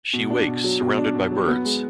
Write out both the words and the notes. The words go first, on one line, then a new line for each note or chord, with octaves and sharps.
She wakes surrounded by birds.
B2
D4
B2
F#3
B2
D4
B2
F#3
B3
G#3